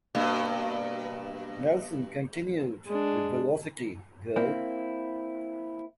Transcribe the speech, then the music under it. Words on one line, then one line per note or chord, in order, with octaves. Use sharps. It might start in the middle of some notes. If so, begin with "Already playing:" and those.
Nelson continued with Velocity Girl.
G2 B2 A#3
G#3 D4
A#3 C4 E4